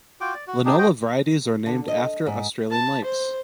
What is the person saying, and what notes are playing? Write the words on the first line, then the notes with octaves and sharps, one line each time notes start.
Linola varieties are named after Australian lakes.
F4 F#4 G5 D6
D5
F#4
D4 D#4 G4 G#4
F#4 C5 D#5 G5
D3
D#5
G#2
A5
C5